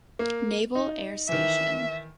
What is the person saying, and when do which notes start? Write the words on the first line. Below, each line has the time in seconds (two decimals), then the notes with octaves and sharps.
Naval Air Station.
0.19 A#3
0.75 D#4
1.29 D#3 E3 E5